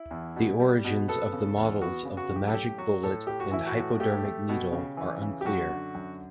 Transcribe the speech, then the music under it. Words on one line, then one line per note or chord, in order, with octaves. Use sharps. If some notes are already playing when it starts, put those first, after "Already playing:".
The origins of the models of the "Magic Bullet" and "Hypodermic Needle" are unclear.
Already playing: E4
E2
B2
G3
B2
B3 A4
C#3
E2
B3 F#4
C#3
F#4
F#2
G4
A4
A2 G4
F#3 F#4
A2 A4
A2 G4
F#4
E3 E4
F#4
A2
A3 G4
A3
B2
C#3
E3
C#3
G4
F#2 F#4
D3
F#2